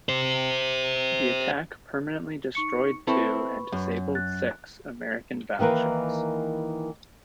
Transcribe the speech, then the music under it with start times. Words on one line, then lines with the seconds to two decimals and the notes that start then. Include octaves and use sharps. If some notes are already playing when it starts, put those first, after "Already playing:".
The attack permanently destroyed two and disabled six American battleships.
0.09 G4 C5
2.55 D#4 C#6 C#7
3.07 C4 E4 A4 B4 B5 C#6
3.72 F#2
4.15 F#6 A6
5.59 D#3 E3 A#3 A#4 B4